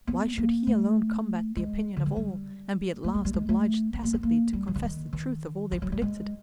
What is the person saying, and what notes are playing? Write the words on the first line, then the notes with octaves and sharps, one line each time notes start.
Why should he alone combat the opinion of all, and be at last obliged tacitly to confess the truth of all they predicted?
B3
A#3
A3
G#3
D3
F#3
G3
A3
G#3
G3
G#3
A3
B3
A#3
B3
A#3
G3
F3
E3
D#3
D#3
F3
F#3
G3
G#3